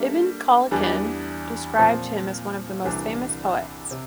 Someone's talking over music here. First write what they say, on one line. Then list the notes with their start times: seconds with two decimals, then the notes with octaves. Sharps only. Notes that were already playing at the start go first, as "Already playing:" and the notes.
Ibn Khallikan described him as one of the most famous poets.
Already playing: G3 A#3 D4 A4 E5
0.71 E2 E3 G3 D4
1.78 A#2 F3 C4
2.84 C2 C3 E3 G3 D4
3.91 C3